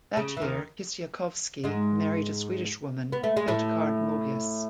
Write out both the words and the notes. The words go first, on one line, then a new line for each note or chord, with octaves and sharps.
That year, Kistiakowsky married a Swedish woman, Hildegard Moebius.
C#3
E3
D#2 D#3
G#2 G#3
B3
A3
G#3
A2 A3